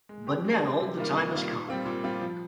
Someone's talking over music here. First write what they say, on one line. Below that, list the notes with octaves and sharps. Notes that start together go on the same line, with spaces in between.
But now the time has come.
G#3
C4 G4
G#3
C4 G4
C3
D#3 G3 A#3 F4
C3
D#3 G3 A#3 F4
A#2
G3 C4 F4
A#2
G3 C4 F4
F3